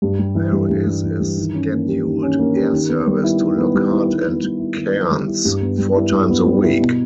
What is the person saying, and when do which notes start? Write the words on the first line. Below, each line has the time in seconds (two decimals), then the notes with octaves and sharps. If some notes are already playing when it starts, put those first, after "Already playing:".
There is a scheduled air service to Lockhart and Cairns four times a week.
0.02 G2
0.19 G3
0.35 E3
0.52 G2
0.69 G2
0.86 G3
1.04 E3
1.20 G2
1.37 D#3
1.54 C#4
1.72 A#3
1.88 G4
2.05 D#3
2.23 C#4
2.39 A#3
2.56 G4
2.72 D#3
2.89 B3
3.07 G3
3.24 E4
3.41 D#3
3.57 B3
3.74 G3
3.91 E4
4.08 D#3
4.26 B3
4.43 G3
4.59 E4
4.76 D#3
4.93 B3
5.11 G3
5.27 E4
5.45 G2
5.62 B3
5.78 G3
5.95 E4
6.12 G2
6.30 B3
6.46 G3
6.63 E4
6.80 B2